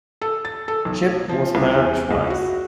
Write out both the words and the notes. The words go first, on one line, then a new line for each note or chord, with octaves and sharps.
Chipp was married twice.
A4
A6
A4
B1
F3
C2
E2
C#2
F#4